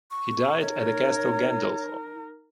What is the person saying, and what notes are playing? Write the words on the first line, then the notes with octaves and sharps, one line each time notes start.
He died at Castel Gandolfo.
C#6
D#4 A#4 C#5